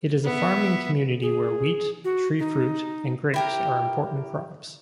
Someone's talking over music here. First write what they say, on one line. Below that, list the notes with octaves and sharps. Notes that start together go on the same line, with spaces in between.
It is a farming community where wheat, tree fruit, and grapes are important crops.
B3 E5
G#4
F#4
D#4
E4 G4 A#4